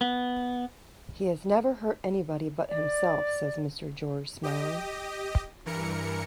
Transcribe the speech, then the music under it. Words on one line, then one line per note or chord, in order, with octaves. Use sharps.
"He has never hurt anybody but himself," says Mr. George, smiling.
B3
D5
G4 D#5
G2 E3 A#4 C#7